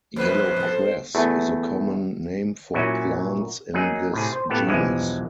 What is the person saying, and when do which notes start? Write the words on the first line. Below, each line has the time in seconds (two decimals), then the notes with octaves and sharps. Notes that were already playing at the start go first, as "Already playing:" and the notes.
Yellowcress is a common name for plants in this genus.
0.16 F2 B2 B4 C5
0.56 C4 A4
1.15 E2 A3
2.74 A#2 F#3 C#4 E4 F#4 G#5
3.74 F#3 A#3 D#4 G#4
4.14 A2 C3 G#4
4.33 C5
4.50 A2 B3 G4 A4 F5
4.67 B1 E2 G2 E3 F3 G#3